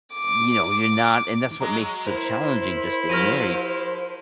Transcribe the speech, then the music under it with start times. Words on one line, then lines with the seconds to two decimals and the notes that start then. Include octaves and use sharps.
you know, you're not and that's what makes it so challenging to stay married,
0.14 D6
1.61 F#3 G#3 A#5
2.06 E4 A#4 C5
3.09 F3 G4 A#4 F6 A#6 D#7